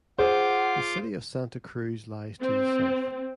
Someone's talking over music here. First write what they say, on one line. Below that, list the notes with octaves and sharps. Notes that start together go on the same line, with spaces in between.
The city of Santa Cruz lies to the south.
F4 G#4 C5 F#5 C6 D6
C4